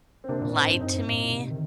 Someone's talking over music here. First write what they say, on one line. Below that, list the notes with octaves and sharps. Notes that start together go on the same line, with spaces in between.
lied to me.
C4
C3 A#3 D4
A#2
A2 C4 D#4
G2
F#2 C4 D#4
G2
A2
A#2
C3
D#3